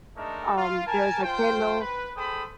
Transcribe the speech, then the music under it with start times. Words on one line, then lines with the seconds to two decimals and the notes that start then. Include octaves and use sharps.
um, there's a kennel
0.17 G#3 A3 D4 D#4 A4 A#4
0.57 F4
0.87 A#4 G#5 A5
1.23 F4 C5 G5
1.80 B4
2.16 G#4 A4 C5 G5 B5 D#6